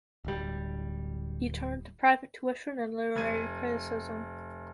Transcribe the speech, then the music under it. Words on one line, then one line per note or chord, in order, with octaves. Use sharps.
He turned to private tuition and literary criticism.
D1 G3
F1 G#6 D#7